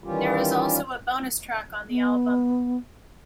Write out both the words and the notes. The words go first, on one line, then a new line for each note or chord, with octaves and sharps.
There is also a bonus track on the album.
D#3 E3 G3 C#4 F4 G4
B3